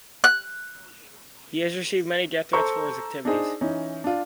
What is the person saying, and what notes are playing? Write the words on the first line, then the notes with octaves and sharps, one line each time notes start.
He has received many death threats for his activities.
F#6
A4 C5 A#5 C#6 E6 G6
D4 D#4 G#4 C5
E3 C#4 D#4
D4 F4